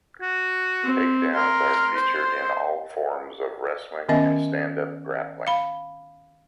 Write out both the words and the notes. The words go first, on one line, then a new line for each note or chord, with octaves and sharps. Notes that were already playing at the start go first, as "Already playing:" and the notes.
Takedowns are featured in all forms of wrestling and stand-up grappling.
F#4
C4
A#4 C6
C5
D#3 B3 C#4 D#5 E5
F5 B5